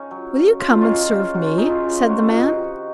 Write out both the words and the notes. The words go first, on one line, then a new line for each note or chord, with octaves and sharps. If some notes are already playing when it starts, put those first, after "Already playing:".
'Will you come and serve me?' said the man.
Already playing: C#3 C#4 D#4
F#3
C#3
C#3 F4
D#4
C#3 C#4 F4
C#3
F#3 F#4
F4
C#3 D#4
C#4 F4
C#3
C3 F#4
F4
D#3 D#4 F#4
D#3